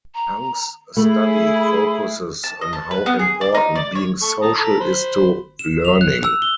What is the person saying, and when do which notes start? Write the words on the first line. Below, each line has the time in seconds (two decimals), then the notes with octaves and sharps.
Hung's study focuses on how important being social is to learning.
0.14 A#5
0.97 A3 E4 G#4 B5
2.44 A5
2.61 D#5
2.73 A5
2.91 B4
3.06 B3
3.19 G#4
3.41 D5
3.55 D#4
3.75 D5
3.95 C#5
4.22 A4 C#6
4.42 A5 A#5 D#6
4.58 A4 A#5 B5
4.80 C5 B5
5.59 E7
5.85 F7
6.01 F#6
6.24 E6
6.42 G7